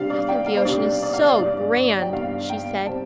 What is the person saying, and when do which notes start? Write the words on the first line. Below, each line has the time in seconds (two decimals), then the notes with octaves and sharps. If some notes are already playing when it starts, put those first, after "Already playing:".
"I think the ocean is so grand," she said.
Already playing: C3 G3 D4 F5
0.10 D5
0.28 G5
0.46 F5
0.57 C5
0.65 C3 G3 D4 D5
1.02 D5
1.13 F5
1.26 D5
1.38 G2 G3 D4 D5
1.76 D5
2.02 G5
2.12 G2 G3 D4 F5
2.50 G5
2.86 C3 G3 C4 A5